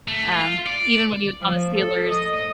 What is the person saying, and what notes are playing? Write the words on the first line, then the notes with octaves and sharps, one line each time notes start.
um, even when he was on the Steelers,
A3
F4
D5
F3
A4
D#5